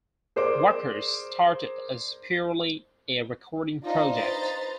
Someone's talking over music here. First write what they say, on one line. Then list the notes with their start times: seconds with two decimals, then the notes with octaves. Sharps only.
Wipers started as purely a recording project.
0.36 G#4 A#4 C5 D5 C6 D6
3.85 D4 D#4 F4 C5 D#5
4.17 B4 C5 D#5 A#5 C6 A6